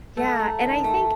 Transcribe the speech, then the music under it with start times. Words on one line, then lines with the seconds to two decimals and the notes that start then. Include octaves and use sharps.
Yeah, and I think
0.17 A3 A5
0.39 A3 A#5
0.62 D#3 A5
0.83 A3 A5